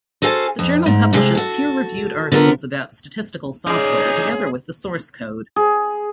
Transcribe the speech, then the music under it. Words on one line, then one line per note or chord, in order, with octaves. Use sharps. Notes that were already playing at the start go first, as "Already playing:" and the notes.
The journal publishes peer-reviewed articles about statistical software, together with the source code.
F#4 A4 C5 F5 G#5
F2
G#2
A2 C3 G#3 F5
F#4 A4
D3 B3 F4 A#4
C#3 G#3 D#4 G#4 D5 D#5
G#4